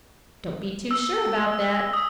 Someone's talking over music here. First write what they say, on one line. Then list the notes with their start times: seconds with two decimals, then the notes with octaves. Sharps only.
"Don't be too sure about that."
0.91 E6
1.93 D#6